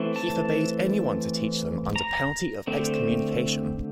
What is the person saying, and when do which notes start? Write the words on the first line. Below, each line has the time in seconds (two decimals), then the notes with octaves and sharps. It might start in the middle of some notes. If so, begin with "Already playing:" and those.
He forbade anyone to teach them under penalty of excommunication.
Already playing: E3 A3 C4
0.16 A5
1.96 A#5
2.67 D3 A3 C4